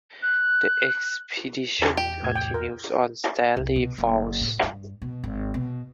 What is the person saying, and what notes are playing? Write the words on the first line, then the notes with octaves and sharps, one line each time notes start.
The expedition continued on to Stanley Falls.
F#6
E2
G4
C2 A2 G#6
G5
A#4
C2
B2
F#1
A2
G2
B2
G#1
B2